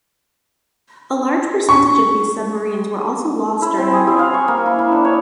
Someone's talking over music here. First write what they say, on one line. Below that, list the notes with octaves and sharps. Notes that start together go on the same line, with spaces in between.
A large percentage of these submarines were also lost during the war.
C#6
E4
C4
G#4
E4
F5
C#6
A#3
E4
E4
D4
C#5